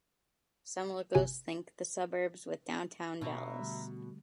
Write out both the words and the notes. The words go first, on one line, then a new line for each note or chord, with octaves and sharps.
Some locals link the suburbs with downtown Dallas.
G1 C3 G#5
B2 E5 A#5 B5
D3 G3 A3